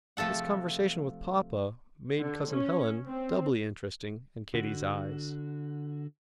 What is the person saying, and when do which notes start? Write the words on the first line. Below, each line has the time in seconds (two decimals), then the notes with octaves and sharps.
This conversation with Papa made Cousin Helen doubly interesting in Katy's eyes.
0.17 C3 F3 A3 A4 F#5
2.18 D3
2.49 C#4
3.06 C4
4.54 D3 F#4